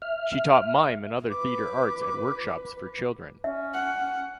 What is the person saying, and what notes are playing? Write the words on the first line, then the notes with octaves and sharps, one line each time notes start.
She taught mime and other theatre arts at workshops for children.
E5 F6
B4 D6
C#4 E5
F#5